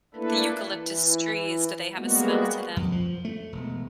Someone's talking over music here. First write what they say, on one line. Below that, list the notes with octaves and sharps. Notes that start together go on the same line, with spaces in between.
The eucalyptus trees, do they have a smell to them?
A3 A#3 D4 E4 A4 B4
E3
G3 G#3 A#3 B3 F#4
F2
F3
A3
E1